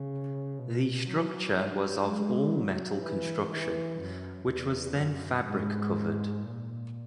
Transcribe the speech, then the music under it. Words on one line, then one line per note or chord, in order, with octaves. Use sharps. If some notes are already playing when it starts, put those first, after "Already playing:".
The structure was of all-metal construction, which was then fabric-covered.
Already playing: C#3
B2
F#3
F#3
G#3
F#3
E3
E3
F#2
E2
F#2
G#2
A#2